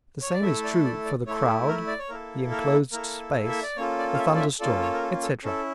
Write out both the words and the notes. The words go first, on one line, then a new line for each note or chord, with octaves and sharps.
The same is true for the crowd, the enclosed space, the thunder-storm, etc.
C#5
D5
A3 E4 A4 E5
D5
D5
D5
A3 E4 A4 C#5
A4
A#4
D5
C#5
A#3 E4 A4 A#4
A#4
A#3 E4 A4 A#4
E5
D5
A#3 C#4 F4 A4 C#5
D5
F5
E5
D5
E5
A#3 C#4 F4 A4 D5
C#5
A#4
A4
A4
C#4 E4 A4